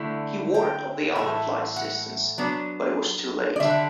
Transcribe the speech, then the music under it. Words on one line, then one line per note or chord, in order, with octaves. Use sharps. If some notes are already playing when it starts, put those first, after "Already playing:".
He warned of the other flight's distance, but it was too late.
Already playing: D3 A3 E4
G5
A2 E3 A3 E4
F#5
F#3 B3 D4
D5
D3 G3 D4 E5